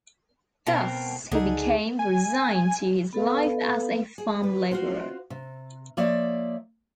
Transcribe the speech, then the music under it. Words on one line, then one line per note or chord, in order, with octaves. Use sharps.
Thus, he became resigned to his life as a farm laborer.
B2 C4 A#4
C#2 D3 D#4 G#4
G#5
B3 A4 B4 F5
G#4
B4
F4 F#4 C5
C3
F3 A#3 C#5 D5 E5